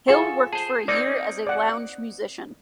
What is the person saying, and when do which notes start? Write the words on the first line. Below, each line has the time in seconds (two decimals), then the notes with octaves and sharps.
Hille worked for a year as a lounge musician.
0.08 F4 G#4 A4 F#5 G#5 C#6
0.53 G#4 C5 A5
0.88 A#3 C4 D#4 D5
1.47 D5 F#5